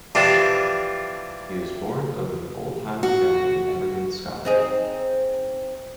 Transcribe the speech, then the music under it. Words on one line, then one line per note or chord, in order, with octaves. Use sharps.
He was born of an old Highland family in Aberdeen, Scotland.
E3 F3 G3 D4 F4
F#4
C4 D#4 G#4